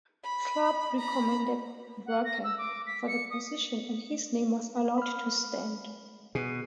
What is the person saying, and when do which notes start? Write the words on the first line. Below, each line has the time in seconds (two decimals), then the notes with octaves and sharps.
Clubb recommended Bracken for the position, and his name was allowed to stand.
0.24 B5
0.98 A#5 B5
2.06 F#5
2.25 A#6
2.44 E6
2.58 D6
2.86 B6
3.07 C#7
3.31 D#6
4.98 B5 F6
6.35 B2 G#4